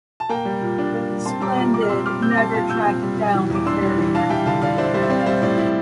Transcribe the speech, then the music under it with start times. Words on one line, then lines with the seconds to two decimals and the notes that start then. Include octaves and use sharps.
"Splendid" never tracked down the carrier.
0.20 A5
0.29 A#3 G5 A#5
0.45 G3
0.62 A#2
0.78 D4
0.94 A#3
1.10 G3
1.25 C4 A5 C6
1.41 G3 A#5 D6
1.57 A#2 A#5 D6
1.74 A#2 A#5 D6
1.82 F6
1.89 C4 C6 E6
2.06 G3 D6 F6
2.22 C4 E6 G6
2.31 D6
2.37 G3 A5 C6
2.53 A#2 F5 A5
2.69 A#2 E6 G6
2.86 C4
3.03 G3
3.18 G3
3.35 E3
3.50 E2
3.55 D6
3.66 D4 C6 E6
3.82 G3
3.98 E3
4.14 D4 F5 A5
4.30 G3 E5 G5
4.46 D3 F5 A5
4.62 D3 D5 F5
4.78 D4 C5 E5
4.94 G3 C5
5.02 E5
5.10 C4 D5
5.20 F5
5.26 G3 C5 E5
5.42 A2 D5
5.58 E4